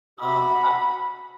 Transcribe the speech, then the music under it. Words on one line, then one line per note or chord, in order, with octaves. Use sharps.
Um, I
F#4 B5